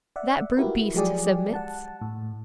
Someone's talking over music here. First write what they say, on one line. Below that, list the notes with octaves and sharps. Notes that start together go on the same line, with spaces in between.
That brute beast submits.
D5 E5 F#5
E4 F#4 G4 A#4 B4
F3 F#3 G#3 G4 G#4 D5
F#5 A5
A2